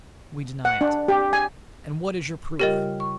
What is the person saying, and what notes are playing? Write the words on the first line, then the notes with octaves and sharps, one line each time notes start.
We deny it; and what is your proof'?
F#5
D4
G4
G#5
C#3 G3 F4 G4 A#4 D#5
C#6